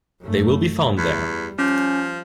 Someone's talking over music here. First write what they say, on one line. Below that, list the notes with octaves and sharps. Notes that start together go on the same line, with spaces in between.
They will be found there.
F#2 A3
E2 G3
F3 C#4